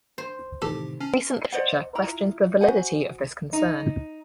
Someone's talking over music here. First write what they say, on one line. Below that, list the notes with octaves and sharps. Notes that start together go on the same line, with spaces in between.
Recent literature questions the validity of this concern.
C5
A2 C3 D#3 G4 A4
C#4 A5 F6 C7
C5 D5 D#5 F#5
E4 F4 A#5
F#4 C5 F#5 G#5
D#4